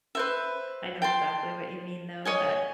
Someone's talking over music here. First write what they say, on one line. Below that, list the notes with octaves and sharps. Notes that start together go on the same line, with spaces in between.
I know exactly what you mean, though, that,
B4 C5 E5
G5 A5 C6
C#5 D#5 G#5